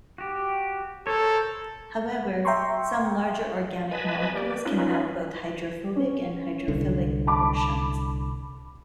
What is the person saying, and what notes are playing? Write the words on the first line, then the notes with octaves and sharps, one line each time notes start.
However, some larger organic molecules can have both hydrophobic and hydrophilic portions.
F#4 G4
A4 A#4 C5 C#5
E5 G5 A#5 C6 C#6
B4 D#5 G#5 A5 B5
A#3 G4 D5
C#4 D#4 F4 B4
C#4
C2 D3
A5 B5 D6